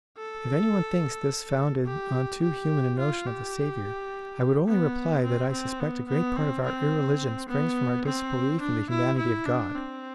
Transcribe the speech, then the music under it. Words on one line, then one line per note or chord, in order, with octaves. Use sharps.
If any one thinks this founded on too human a notion of the Saviour, I would only reply that I suspect a great part of our irreligion springs from our disbelief in the humanity of God.
A4
G4
G4
F4
G4
B3
C4
C4
B3
B3
C4
C4
B3
C4
D4
E4
E4
D4
C4